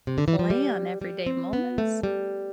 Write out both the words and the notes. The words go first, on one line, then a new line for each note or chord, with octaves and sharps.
plan everyday moments,
C3
D3
E3
F3
G3
G3
C4
B3
A3
G3